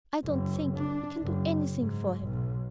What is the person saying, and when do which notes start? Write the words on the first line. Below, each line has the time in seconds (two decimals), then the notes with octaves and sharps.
"I don't think--we can do anything for him."
0.24 F#1
0.77 D4
1.22 F#1
1.74 G#2
2.23 B1